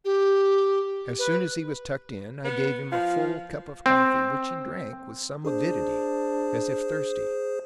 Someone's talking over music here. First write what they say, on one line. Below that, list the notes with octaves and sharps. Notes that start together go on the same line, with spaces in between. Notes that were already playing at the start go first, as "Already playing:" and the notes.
As soon as he was tucked in, I gave him a full cup of coffee, which he drank with some avidity as if thirsty.
G4
B4
B3
F3 F4 F5
C4
D4 G#4 C5